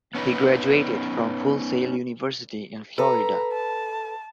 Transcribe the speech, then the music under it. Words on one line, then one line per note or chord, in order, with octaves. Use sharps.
He graduated from Full Sail University in Florida.
B3 C#4 D#4 B4
A4 B4 A#5
A5